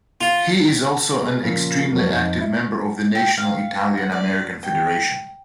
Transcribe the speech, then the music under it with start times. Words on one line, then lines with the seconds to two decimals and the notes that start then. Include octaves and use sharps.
He is also an extremely active member of the National Italian American Federation.
0.21 F4
1.22 B3 G#4
1.42 A#2 C#3 F3 F4
1.92 F2 B2 D#3 F#3 A#3
2.11 F2 D#4 D#5
2.40 E4
3.15 G5
3.37 F5
3.97 F#5
4.12 D5
4.63 G5